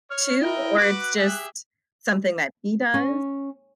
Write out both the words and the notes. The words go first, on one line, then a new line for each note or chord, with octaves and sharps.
too, or it's just something that he does?
C#5 F6
E4 A#4 D#5 G5
F#4 B4 D6 F#6
G4 G#4 E5
C#4